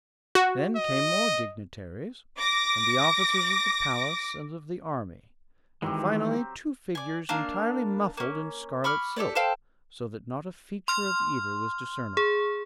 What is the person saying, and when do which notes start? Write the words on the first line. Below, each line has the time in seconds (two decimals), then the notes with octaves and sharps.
Then came more dignitaries, and the officers of the palace and of the army, and finally two figures entirely muffled in scarlet silk, so that not a feature of either was discernible.
0.35 F#4
0.76 D#5
2.37 D6 A#6
5.82 D#3 E3 F#3 G#3 C4 G4
6.95 D5 G#5
7.29 A#3 D4 F5
8.17 A#3 C#4
8.84 B5 C#6 D6 F6
9.16 G4 A4 C#5 D5
9.35 A4 C5 F5 G5
10.88 C6 F6
12.17 G#4